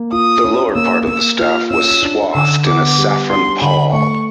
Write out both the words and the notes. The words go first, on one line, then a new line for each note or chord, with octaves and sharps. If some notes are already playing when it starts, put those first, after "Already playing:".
The lower part of the staff was swathed in a saffron pall.
Already playing: A#3
F4 D#6
C#4
A#3 E6
A#3 E6
F4 F6
C#4 E6
D4
D3 E6
B3 D6
G3
D4 C6
D3 B5
A3 C#6